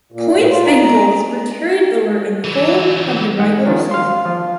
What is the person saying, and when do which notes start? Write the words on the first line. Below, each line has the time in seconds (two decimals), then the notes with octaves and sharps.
Points and goals were carried over in full from the regular season.
0.12 A#2
0.35 A2
0.50 F4
0.64 D#4
0.82 A#5
2.44 E3 F#3
3.39 G#2 G#3 F#5
3.66 D#3 F3 C#4
3.91 F5 C6
4.25 F3 F4